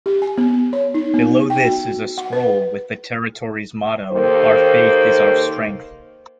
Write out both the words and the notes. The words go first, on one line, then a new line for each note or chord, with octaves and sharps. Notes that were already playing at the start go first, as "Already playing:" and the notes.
Below this is a scroll with the territory's motto, "Our faith is our strength".
G4
G#5
B3
C#5
D#4
B3
G5
F#4
F#5
B4
D#2 D#3 A#3 A4 C5